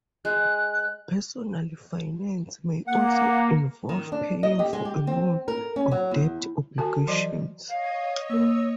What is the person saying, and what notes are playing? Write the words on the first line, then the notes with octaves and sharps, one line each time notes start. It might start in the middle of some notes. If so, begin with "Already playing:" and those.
Personal finance may also involve paying for a loan, or debt obligations.
G#3 F#6
A#3 F#5
D#3
D4
D#5
G4
G#3
G4
C4
A#4
C#4
F#3
E2
D3 F#4 G#5
E3 F#3 D5 D#5
C#5 D#5 F5
A#3 A#4 E6